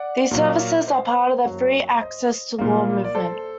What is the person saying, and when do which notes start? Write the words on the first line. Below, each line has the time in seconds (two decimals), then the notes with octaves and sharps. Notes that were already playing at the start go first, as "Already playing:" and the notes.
These services are part of the Free Access to Law Movement.
Already playing: D5 F#5
0.31 A#2 F#3 A#3
0.87 C5 D#5
1.45 F#2 F#3 A#3
2.01 C5 D#5
2.59 A#2 G3 A#3
3.04 D5
3.15 A4 C5